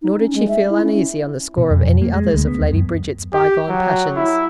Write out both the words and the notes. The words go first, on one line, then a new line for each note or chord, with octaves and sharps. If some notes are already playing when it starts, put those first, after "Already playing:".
Nor did she feel uneasy on the score of any others of Lady Bridget's bygone passions.
D#4
C#4
G#3
E5
E4
C#4
B2
F2
F2
A#3
G#3
D2
B3
D#2
F#2
G4
F#3
E4